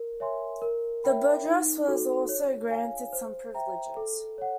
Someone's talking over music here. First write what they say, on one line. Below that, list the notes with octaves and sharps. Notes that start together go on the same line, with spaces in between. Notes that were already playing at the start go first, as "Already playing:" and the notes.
The burgesses were also granted some privileges.
Already playing: A#4
C#5 E5 G#5 C6
A#4
C#5 E5 G5 B5
D#4
F#4 A4
C#5
F5 G#5
C5
E5 G5 A#5
A4
C#5 F#5